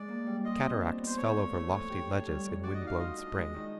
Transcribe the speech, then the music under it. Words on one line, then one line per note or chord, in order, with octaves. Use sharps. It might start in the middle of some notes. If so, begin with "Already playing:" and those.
Cataracts fell over lofty ledges in wind-blown spray.
Already playing: G#3 D5
A#3
G3
F4 D#5
C4
D4
B3
C5
A3 C#5
F3
A3
E3
G4
D4
G3
E3
F#4 D5
D#5
D#4
F5
F4 D#5
D4
G#3
D#3